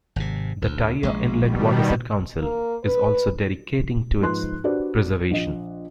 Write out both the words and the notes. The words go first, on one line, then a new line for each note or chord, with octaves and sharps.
The "Taiya Inlet Watershed Council" is also dedicating to its preservation.
G#1 C3
D2
A#1 G#3
B2 D#3 G3
A#3
B4
G#2 F3 D#4 B4 C6 F#6
D4 F#4 G4 B4 C5 D5
A#1 D#5